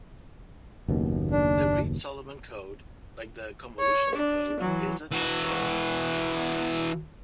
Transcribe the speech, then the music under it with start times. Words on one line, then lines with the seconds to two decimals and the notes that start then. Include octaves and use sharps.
The Reed-Solomon code, like the convolutional code, is a transparent code.
0.88 F#1 D#2 B2
1.31 D4
3.79 C#5
4.15 D4
4.60 E3 F#3
5.12 E3 F#4